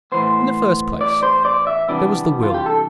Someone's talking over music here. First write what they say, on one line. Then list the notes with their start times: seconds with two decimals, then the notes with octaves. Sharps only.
In the first place, there was the will.
0.12 A2 E3 B3 C5
1.01 D5
1.23 C5
1.45 D5
1.67 E5
1.88 C3 E3 G3 B3 D4 D5
2.43 F4
2.54 G4
2.66 A4